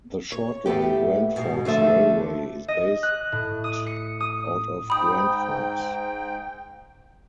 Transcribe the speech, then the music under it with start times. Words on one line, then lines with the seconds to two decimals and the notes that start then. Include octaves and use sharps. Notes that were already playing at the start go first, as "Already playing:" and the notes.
The short-line Grand Forks Railway is based out of Grand Forks.
0.32 C#5
0.66 A2 A3 B3 G4
1.36 G#2 B2
1.65 D3 F3 A3 E5
2.68 D#5
3.03 F#6
3.32 A2
3.64 D#6
3.87 C#7
4.20 D#6
4.90 G#2 G5 B5 D#6